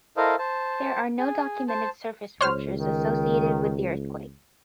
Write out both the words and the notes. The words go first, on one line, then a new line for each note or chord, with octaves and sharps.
There are no documented surface ruptures associated with the earthquake.
E4 A4 A#4 C5 D#5 F5
C5 A5
G#4
C5 A5
C#2 C5 C#5 F6
D#3